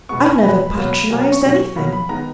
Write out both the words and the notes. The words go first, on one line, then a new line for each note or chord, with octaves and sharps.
I never patronised anything.
B2 G#3 B3 C#6
B5
G#5
B2 G#3 B3 B5
B2 F#3 A#3
B2 F#3 A#3 G#5
A#5
C#6
B2 F#3 A#3
B2 F#3 A#3 B5
B5
D#3 G#3 B3 A#5